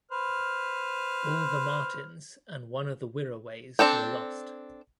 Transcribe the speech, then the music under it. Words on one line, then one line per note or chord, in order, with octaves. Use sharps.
All the Martins and one of the Wirraways were lost.
B4 C5 F6
C4 D4 A4 G5